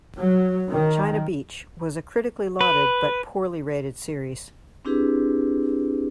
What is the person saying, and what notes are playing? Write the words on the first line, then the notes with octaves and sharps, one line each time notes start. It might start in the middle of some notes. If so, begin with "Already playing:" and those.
"China Beach" was a critically lauded, but poorly rated series.
F#3
D#3
B4
C4 D4 E4 G4 G#4 B4